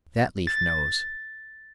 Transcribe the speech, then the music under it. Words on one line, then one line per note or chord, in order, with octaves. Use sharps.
That leaf knows.
A6